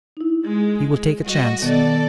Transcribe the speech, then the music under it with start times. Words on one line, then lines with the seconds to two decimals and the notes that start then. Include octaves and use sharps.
We will take a chance.
0.17 D#4 E4
0.46 G#3
1.26 G3 F#4 D#5
1.62 B2 D#3 B3 A4 D5